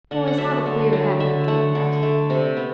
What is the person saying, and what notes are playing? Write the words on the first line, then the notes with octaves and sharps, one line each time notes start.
Boys have a queer habit of doing that.
D3 F#5
F#5
F#3 A3 E5
D3
F#3 A3
D3 E5
A3 F#5
D3
A3
C3
B3